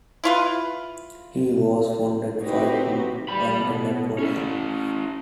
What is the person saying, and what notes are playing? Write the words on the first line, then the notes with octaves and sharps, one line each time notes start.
He was wounded fighting under Napoleon.
E4 F4 B4
C4 D#4 F#4 G4 B4
G3 B5
B2
C#4 E4